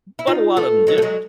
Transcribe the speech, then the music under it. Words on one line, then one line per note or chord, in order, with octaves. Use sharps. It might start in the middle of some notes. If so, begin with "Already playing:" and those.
but a lot of 'em didn't,
E4
D#4 F4
A3 B3
F#3 G#3
A3
F#3 G#3